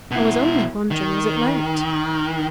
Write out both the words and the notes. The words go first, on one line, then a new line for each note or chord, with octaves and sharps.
I was only wondering was it late.
B2 E4
D#3